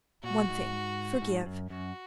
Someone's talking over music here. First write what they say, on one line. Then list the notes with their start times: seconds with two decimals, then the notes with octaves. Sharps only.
One thing: forgive...
0.23 A#2 F#4
0.48 G#2
1.22 G#2
1.46 F#2
1.70 F#2 F#4